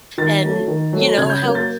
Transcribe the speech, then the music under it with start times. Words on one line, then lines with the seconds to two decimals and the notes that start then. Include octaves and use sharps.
and, you know, how
0.18 D#3 A6
0.42 F#3 A3
0.67 D#3
0.93 F#3 A3
1.18 C#3 G#6
1.30 G6
1.43 F#3 A#3
1.55 A6